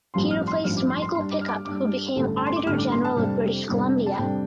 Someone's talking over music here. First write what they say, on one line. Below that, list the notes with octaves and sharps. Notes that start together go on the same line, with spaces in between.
He replaced Michael Pickup who became Auditor General of British Columbia.
A1 G2 F3 D4 C6
F6
C6
A1 G2 F3 D4 F6
D6
C6
C6
G2 G3 D4 C6
D6
F6
D6
G2 G3 D4 D6
A1 G2 D3 A3 D4
A5
C6
D6
A1 G2 D3 A3 D4 F6
D6
C6
A5
F2 C3 G3 D4
F2 C3 G3 D4
A5
F2 C3 G3 D4 G5